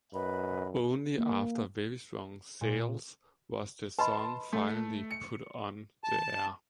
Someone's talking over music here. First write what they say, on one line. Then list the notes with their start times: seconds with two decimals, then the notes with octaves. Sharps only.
Only after very strong sales was the song finally put on the air.
0.13 F#2 B4 D#5 B5
1.19 A#3
2.61 A#2
3.99 B4 D#5 A5 B5 C6
4.53 A3
5.11 C#7
6.04 A5